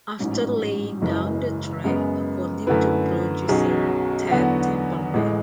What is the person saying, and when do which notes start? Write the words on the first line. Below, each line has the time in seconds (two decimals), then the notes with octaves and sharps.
After laying down the track, according to producer Ted Templeman.
0.19 A1 G#2 F#3 C#4
1.01 F#1 F#2 C#3 E3 G#3
1.84 F#2 C#3 G#3 B3
2.67 F#2 D3 A3 E4 B4
3.49 B1 B2 F#3 C#4 G#4
4.31 E2 D3 F#3 B3 F#4
5.14 A1 A2 G#3